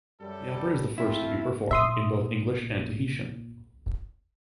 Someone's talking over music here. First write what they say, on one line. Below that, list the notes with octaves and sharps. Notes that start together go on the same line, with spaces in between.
The opera is the first to be performed in both English and Tahitian.
F#2 G3 A4
A3 C4 E4 F4
A#2 E5 C6 D#6